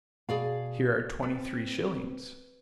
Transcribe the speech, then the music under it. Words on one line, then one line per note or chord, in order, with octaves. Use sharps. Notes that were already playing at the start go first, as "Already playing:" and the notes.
Here are twenty-three shillings.
B2 G#4 D5 F5
C4 B4